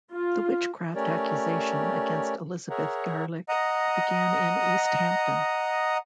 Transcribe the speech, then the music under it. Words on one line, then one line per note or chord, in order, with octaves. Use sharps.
The witchcraft accusation against Elizabeth Garlick began in East Hampton.
F4
A3 C#4 G4 A#4 C#5 D5
G#4 A#4 C#5 E5 F#5 A#5
D#5 F#5 A#5 D#6